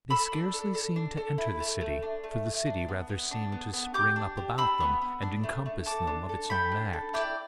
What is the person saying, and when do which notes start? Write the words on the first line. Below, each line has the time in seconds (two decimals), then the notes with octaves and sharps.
They scarcely seemed to enter the city; for the city rather seemed to spring up about them, and encompass them of its own act.
0.10 A4 B5 E6
0.32 D4
0.54 A4
0.75 A4
0.96 D4
1.17 A4
1.38 E4
1.60 A3
1.81 A3
2.03 D4
2.24 A3
2.46 A3
2.66 D4
2.88 B3
3.09 B3
3.31 D4
3.52 B3
3.73 B3
3.94 G4 D6 G6
4.16 D4
4.37 G4
4.58 D4 B5 E6
4.80 B3
5.02 B3
5.22 D4
5.44 A3
5.66 A3
5.86 A4 A5 D6
6.07 D4
6.29 A4
6.50 A4 G5 B5
6.72 D4
6.93 A4
7.14 E4 D5 G5